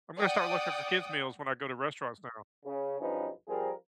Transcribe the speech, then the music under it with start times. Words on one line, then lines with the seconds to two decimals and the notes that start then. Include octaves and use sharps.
I'm gonna start looking for kids meals when I go to restaurants now.
0.18 D5 F#5 G5 D#6
2.65 C#3
3.00 B1 G2 F3 C#4 D#4 B4
3.48 F3 G3 C4 G#4 A#4